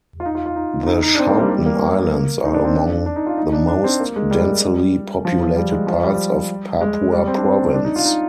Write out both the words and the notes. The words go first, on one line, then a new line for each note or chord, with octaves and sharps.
The Schouten Islands are among the most densely populated parts of Papua province.
F4
D#4
F4
F4
D#4
D#4
D#4
D4
C4
A#3
G3
G3
A#3
D#4
D4
C4
D4
D4
D#4
F4
D#4
D4
D4
C4
A#3
G#3
G3
G#3
G3
F3
G3
G#3
F3
G3
G#3
G3
C4
D4
C4
D4
D#4
F4
D#4